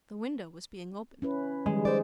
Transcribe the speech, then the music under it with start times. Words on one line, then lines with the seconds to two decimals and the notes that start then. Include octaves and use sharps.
The window was being opened.
1.22 C#4 E4 B4
1.66 D#3 G3 G#3
1.85 C5 D5